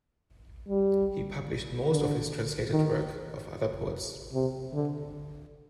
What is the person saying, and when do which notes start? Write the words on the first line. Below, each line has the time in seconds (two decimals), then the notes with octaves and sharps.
He published most of his translated work of other poets.
0.68 G3
1.91 D3
2.71 D#3
4.33 C3
4.74 D3